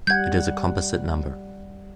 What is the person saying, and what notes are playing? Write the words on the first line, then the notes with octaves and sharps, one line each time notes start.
It is a composite number.
G3 F#5 G6 G#6